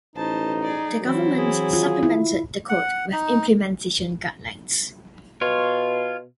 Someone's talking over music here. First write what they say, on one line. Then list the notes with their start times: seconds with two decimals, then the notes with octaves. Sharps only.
The government supplemented the Code with Implementation Guidelines.
0.16 A1 D#4 C5 A5
0.63 G#4 D5
1.02 E3 F#3 C4 E4
1.38 G#4
1.70 D#3 F4
2.03 E4
2.69 F#5
3.13 D#4
5.41 B2 F4 C#5